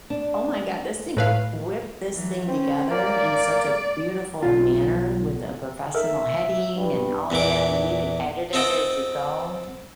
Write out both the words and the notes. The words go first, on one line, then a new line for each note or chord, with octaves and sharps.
Oh my god, this thing whipped this thing together in such a beautiful manner, with a professional heading and all that, and then you can edit it as you go.
D4
A2 B4 F5
E3 F#3
C4 C#4
A#3 D5
B1 F4
D#4 A4 A#4 E5
G2
E2 A#2 E3 D6
C4 F4 A4 D#5 F#5 G5